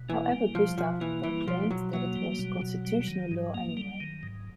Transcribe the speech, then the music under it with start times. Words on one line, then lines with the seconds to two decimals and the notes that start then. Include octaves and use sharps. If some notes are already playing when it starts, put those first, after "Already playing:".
However Gustav proclaimed that it was constitutional law anyway.
Already playing: B2
0.09 E3 A#3
0.32 G3
0.55 B2 F3
0.77 B2 F3
1.00 E3 A#3
1.23 E3 G3
1.47 B2 F3
1.70 B2 F#3
1.93 F#3 A#3
2.16 G3
2.39 B2
2.61 B2
2.85 G3
3.07 D#3
3.31 G#2
3.55 A#3
3.77 G3
4.00 D#3
4.23 G#2